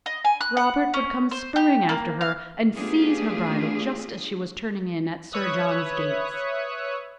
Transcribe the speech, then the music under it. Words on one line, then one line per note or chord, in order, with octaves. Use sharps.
Robert would come spurring after her and seize her bridle just as she was turning in at Sir John's gates.
D#5
G#5
F#6
F#5
C#4
C5
G4
A#3
F5
A3 B3 D4 F4 G4 G#4
B4 C#5 E5 D#6 F#6